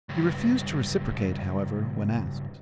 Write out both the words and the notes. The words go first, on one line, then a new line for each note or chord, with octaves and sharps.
He refused to reciprocate, however, when asked.
C#2 G2